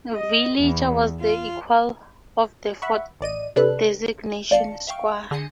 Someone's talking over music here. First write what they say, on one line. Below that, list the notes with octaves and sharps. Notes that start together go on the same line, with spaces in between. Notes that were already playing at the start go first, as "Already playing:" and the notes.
Villager was the equal of the Ford designation "Squire".
D#5
E2
F4
E5 F#5 B5 C#6
A1 D5 D#5 D#7
C3 D4 A4 B4 F#6
G#1 D5 F5 A5 C#7
E5 F5 G5 C#6 D7
D3 G#4 A#6 C7 C#7 D#7